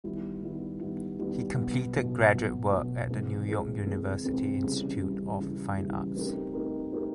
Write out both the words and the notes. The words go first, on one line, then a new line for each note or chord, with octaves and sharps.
He completed graduate work at the New York University Institute of Fine Arts.
D#3 G3 B3 E4
D#3 G3 B3 E4
D#3 G3 B3 E4
D#3 G3 B3 E4
B2 F#3 B3
B2 F#3 B3
B2 F#3 B3
B2 F#3 B3
C3 E3 G#3 C4
C3 E3 G#3 C4
C3 E3 G#3 C4
C3 E3 G#3 C4
C#3 E3 G3
C#3 E3 G3
C#3 E3 G3
C#3 E3 G3
A3 C4 D#4 G4 A#4
A3 C4 D#4 G4 A#4
A3 C4 D#4 G4 A#4